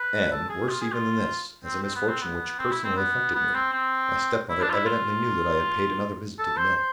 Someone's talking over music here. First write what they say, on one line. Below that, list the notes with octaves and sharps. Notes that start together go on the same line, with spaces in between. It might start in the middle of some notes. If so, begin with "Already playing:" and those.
And, worse even than this, as a misfortune which personally affected me, my stepmother evidently knew that I had paid another visit to the mill.
Already playing: B4
A4
G#4
F4
G#4
F4
C4
C4
B3
C4
B3
C4
E4
C4
B3
B3
C4
C4
E4
D4
F4
E4
F4
A4
C5
C5